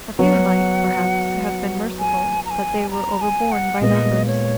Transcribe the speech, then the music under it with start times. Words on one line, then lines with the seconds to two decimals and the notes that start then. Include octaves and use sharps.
A few might, perhaps, have been merciful, but they were overborne by numbers.
0.19 F#3 B3 F#4 C#5 F#5
2.00 G#5
2.45 A#5
2.50 G#5
2.91 A#5
3.21 G#5
3.52 F#5
3.81 A#2 G#3 B3 D#5
4.27 C#5